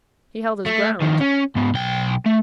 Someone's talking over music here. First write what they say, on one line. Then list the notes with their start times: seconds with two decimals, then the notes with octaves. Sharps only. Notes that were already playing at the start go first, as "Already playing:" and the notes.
He held his ground.
0.66 A3
1.01 D#3 F3
1.20 C#4
1.56 G#2 B3
1.74 B1 G5
2.26 A3